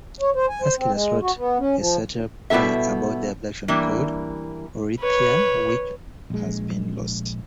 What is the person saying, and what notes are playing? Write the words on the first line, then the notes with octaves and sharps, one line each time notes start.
Aeschylus wrote a satyr play about the abduction called "Orithyia" which has been lost.
C#5
C5
G#5
C5
C4
G#3
F#4
B3
C#4
F3
D#2
B2 G3 B3 E4 A4 E5
E3 G3 A#3 D4
B4 C#5
A#1 G#3